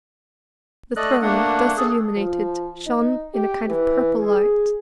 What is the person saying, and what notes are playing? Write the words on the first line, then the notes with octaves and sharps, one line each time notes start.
The throne, thus illuminated, shone in a kind of purple light.
A3 A4 D5 D#5 F#6
A3 A#3 D4 F#5
G#4 A4
F3
D#4
G4
E3
G#4